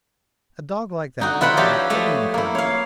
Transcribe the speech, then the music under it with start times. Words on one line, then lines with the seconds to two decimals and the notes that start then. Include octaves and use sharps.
A dog like that don't want any encouragement.
1.20 D3 D#4 F#4
1.41 E4 F4 B4 F#5 B5
1.57 F3 G4 C#5 D5 E5
1.90 A3 C#5 D#5
2.34 A#3 E4
2.55 C#5 F5